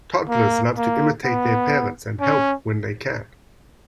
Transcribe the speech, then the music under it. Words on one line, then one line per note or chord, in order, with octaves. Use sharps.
Toddlers love to imitate their parents and help when they can.
A#3
A#3
B3
C#4